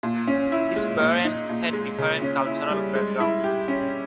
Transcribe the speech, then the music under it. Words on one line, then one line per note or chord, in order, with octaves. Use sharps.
His parents had different cultural backgrounds.
A#2
C#4
E4
G#3
A#2
D#4
A#2
G#3
C#3
C#4
E4
G3
G#3
E4
G4
C#4